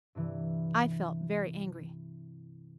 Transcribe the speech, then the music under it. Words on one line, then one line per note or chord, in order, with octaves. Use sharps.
I felt very angry.
G2 C3 E3